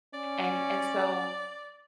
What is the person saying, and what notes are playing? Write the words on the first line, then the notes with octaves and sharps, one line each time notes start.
And and so
C#4 D5